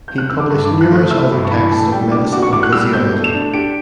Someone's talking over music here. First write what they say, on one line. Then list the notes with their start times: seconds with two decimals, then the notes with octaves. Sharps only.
He published numerous other texts of medicine and physiology.
0.08 G6
0.18 F#6
0.30 E6
0.40 D6
0.49 G2 C#6
0.65 D6
0.71 E3
0.81 F#6
0.91 A3 F#6
1.11 E4 E6
1.32 G2
1.45 C#6
1.51 E3 B5
1.71 A2 A5
1.92 G3 G5
2.12 D4 D6
2.33 F#4 D6
2.43 C#6
2.53 A2 D6
2.63 F#6
2.72 G3 E6
2.93 B2 G6
3.13 A3
3.24 E7
3.34 D4
3.54 G4 D7